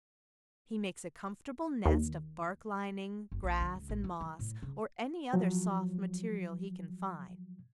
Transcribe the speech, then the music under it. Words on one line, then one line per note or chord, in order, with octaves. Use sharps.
He makes a comfortable nest of bark lining, grass, and moss, or any other soft material he can find.
D#2
F#1
A#1
D3
C#2
A1
E4
E3
A2
C#3
F3 F#3